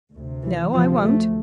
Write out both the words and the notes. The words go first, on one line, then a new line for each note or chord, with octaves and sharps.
No, I won't.
D2 C3
E3
D2 C3 F3
A3